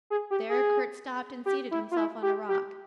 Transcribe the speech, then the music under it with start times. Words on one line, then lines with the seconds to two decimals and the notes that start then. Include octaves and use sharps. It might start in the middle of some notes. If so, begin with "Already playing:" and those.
There Kurt stopped and seated himself on a rock.
0.10 G#4
0.30 G4
0.49 G#4
1.46 G4
1.71 E4
1.91 F4
1.97 E4
2.22 G4
2.49 G4